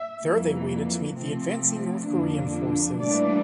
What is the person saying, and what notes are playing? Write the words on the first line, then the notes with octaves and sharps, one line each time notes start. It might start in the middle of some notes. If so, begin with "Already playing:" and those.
There they waited to meet the advancing North Korean forces.
Already playing: E5
F2 E3 G3 A#3
C3 F3 A3 C4
F2 D3 F3 A#3 D4
A2 E3 G3 A#3 D4 D5